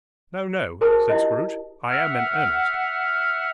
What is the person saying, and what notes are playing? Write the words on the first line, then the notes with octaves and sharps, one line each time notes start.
'No, no,' said Scrooge. 'I am in earnest.
F#4 G#4 A#4 C5 A5 D#6
D#4 E4 G4 D#5
E5 F#5 F6